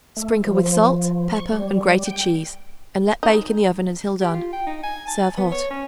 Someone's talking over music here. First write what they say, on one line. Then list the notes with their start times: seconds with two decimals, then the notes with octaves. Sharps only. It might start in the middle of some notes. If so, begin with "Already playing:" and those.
Sprinkle with salt, pepper and grated cheese and let bake in the oven until done. Serve hot.
0.17 A3
0.47 F3
1.34 C#6
1.52 G3
2.05 G5
3.23 D#4
4.21 G4
4.34 F4
4.53 G5
4.67 D#4
4.84 G#5
5.07 A5
5.37 B3
5.52 C#5
5.70 C#4